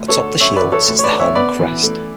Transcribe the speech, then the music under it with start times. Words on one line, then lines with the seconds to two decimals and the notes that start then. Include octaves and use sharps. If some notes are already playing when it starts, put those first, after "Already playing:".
Atop the shield sits the helm and crest.
Already playing: D2
0.08 A4 C#5
0.17 D3
0.40 F#2 C#5 E5
0.56 B4 D5
0.64 E3
0.72 A4 C#5
0.88 D2
0.99 C#5
1.03 B4 D5
1.12 D3
1.20 C#5 E5
1.35 B3 B4 D5
1.59 E3
1.83 A3